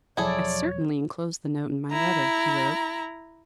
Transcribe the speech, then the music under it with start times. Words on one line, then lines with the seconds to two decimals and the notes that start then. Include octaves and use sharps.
"I certainly enclosed the note in my letter," he wrote.
0.17 E1 F3 F#3 E4 G#4 A4 C#5 D5
1.92 E4 A#5